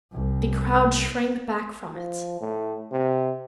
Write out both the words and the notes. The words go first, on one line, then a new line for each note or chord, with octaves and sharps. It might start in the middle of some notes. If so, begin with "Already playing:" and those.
The crowd shrank back from it.
C2
F3
A2
C3